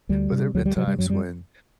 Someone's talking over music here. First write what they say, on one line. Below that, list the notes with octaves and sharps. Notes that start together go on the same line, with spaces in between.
but there've been times when
D2 G3
C3
D2 F#3
G3
C3 F#3
G3
F#2 F#3
G3